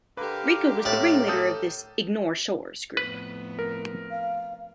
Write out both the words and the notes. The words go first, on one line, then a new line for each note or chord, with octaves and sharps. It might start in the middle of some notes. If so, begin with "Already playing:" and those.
Rico was the ringleader of this 'ignore Shores' group.
D3 G4 A#4 B4 F5 D6
A2 D5
A4 D#6 G6
F2 A2 B3 B4
A#4
F5